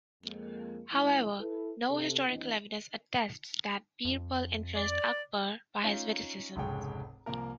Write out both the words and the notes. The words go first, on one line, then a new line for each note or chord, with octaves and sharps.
However, no historical evidence attests that Birbal influenced Akbar by his witticisms.
F2 G#3 A#3
D#3 G#3 C#4 E4
E4 A4 B4
C3 A4
D#2 E3 C4 D4 E4 D#5
F2
D5
C#4 D#4 F4
F1 C#2 G#2 G#4 C#5 G5
C2 F3 A#3 A#4